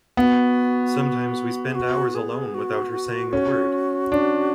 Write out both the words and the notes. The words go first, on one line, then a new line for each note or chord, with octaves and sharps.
Sometimes we spend hours alone without her saying a word.
B3 F#4
G#4
F#4
G#4
F#4
C#4
D4